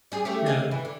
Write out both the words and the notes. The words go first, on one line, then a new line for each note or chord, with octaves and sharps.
You know?
G3 G#4
A3 C#4 G4
A#3 D#4 G#4
E3
D3